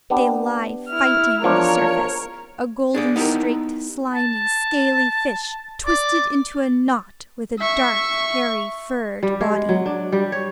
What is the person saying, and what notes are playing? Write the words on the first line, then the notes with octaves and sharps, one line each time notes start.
They lie fighting on the surface--a golden-streaked, slimy, scaly fish twisted into a knot with a dark, hairy, furred body!
B3 D4 G4
E4 F6
E2 F3 D4 A#4 C#5
D4 G#4 D5
B3 D#4 E4 G4 A#4
A5
D5
E5 C#6
G3
G#3
F#3
D4
G3
C#5